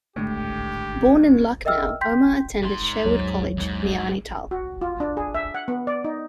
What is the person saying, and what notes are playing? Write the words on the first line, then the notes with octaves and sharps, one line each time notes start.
Born in Lucknow, Omar attended Sherwood College, Naini Tal.
G#1 A2 D3 G#3 G4
A#4 D#5 E5 G5 E6 F6
G5 C6 G6 B6
G#2 C6
D#2 F#3 C#5
E2 G#2
F#4
F4
D4
G#4
E5
F#5
B3
D5
D#4